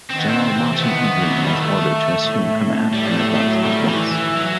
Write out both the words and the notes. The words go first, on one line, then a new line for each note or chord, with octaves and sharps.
General Martin E. Green was ordered to assume command and advance at once.
D#3 C4
B3
C4
C3 E3
A3
D#3 B3
E3
F#3
G3
A3
A2
G3
A3
A3
F#3
G3
D#3
E3
E3
F#3